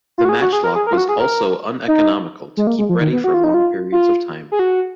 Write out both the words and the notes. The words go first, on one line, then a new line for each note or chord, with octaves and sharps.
The matchlock was also uneconomical to keep ready for long periods of time.
F4
F#4
G#4
F#4
G#4
A#4
G#4
A#4
F4
F#4
G#4
A#4
D#4
G#3
A#3
G#3
F3
D#3
B3
F#4
F4
D#4
F4
F4
G#4
F#4